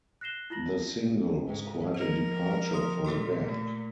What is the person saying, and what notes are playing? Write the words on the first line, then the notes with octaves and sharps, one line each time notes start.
The single was quite a departure for the band.
F#6 A#6 C7 E7 G7
E4 F4 A#6 F#7
G#2
F3 A#4 C5 D#5
C6 D#6
A#2 G4 A4 C6
A3